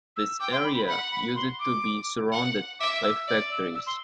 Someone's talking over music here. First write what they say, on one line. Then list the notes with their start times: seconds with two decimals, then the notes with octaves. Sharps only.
This area used to be surrounded by factories.
0.17 E6
0.40 G5 D6
0.52 C6
0.64 B5
0.76 B5
0.88 F#5 B5
1.12 B5
1.36 C6
1.60 D6
2.32 F#5
2.80 E5 D6
3.03 E6
3.28 D5
3.52 E6
3.75 E6
3.87 C6